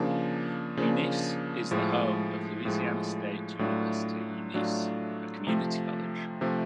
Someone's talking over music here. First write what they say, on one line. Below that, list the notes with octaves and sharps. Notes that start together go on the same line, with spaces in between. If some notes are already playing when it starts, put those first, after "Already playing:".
Eunice is the home of Louisiana State University Eunice, a community college.
Already playing: C#3 F3 A#3 D4
C#3 F3 A#3 D4
A2 F3 G#3
A2 F3 G#3
A2 F#3 A3 D4 F4
A2 F#3 A3 D4 F4
C3 F3 A3
C3 F3 A3